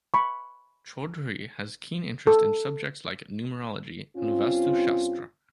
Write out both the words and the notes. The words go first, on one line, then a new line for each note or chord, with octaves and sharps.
Chaudhry has keen interest in subjects like Numerology and Vastu Shastra.
B5 C#6
A4
G2 C4 C#4 F4